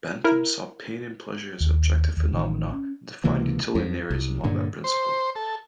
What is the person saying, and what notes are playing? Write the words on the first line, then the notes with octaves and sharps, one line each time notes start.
Bentham saw pain and pleasure as objective phenomena, and defined utilitarianism on that principle.
E4 A#4
D#2
D#2
A1 D#3
C#4
C#2 C3 E3 A#3
F2
C2
G2 A#2 D3
C5
A4